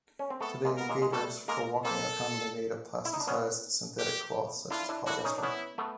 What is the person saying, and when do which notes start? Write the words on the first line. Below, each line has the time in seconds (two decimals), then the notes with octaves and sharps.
Today, gaiters for walking are commonly made of plasticized synthetic cloth such as polyester.
0.19 C#4
0.30 C4
0.41 A3 B3 A4
0.65 G#3 A#3
0.77 B3 A#4
0.89 G#3 A#3
1.01 G#3
1.13 G3 A3 A4
1.48 G#3 A#3 A#4
1.85 A#3 C4 A4
3.05 E4
3.13 D#4
3.20 D4
3.27 B3 C#4
3.99 G4
4.70 D4 E4 F4
4.89 D4 E4
5.06 D4 E4 F#4
5.24 C#4 D#4
5.38 D4
5.42 B3 C#4 E4
5.78 A3 B3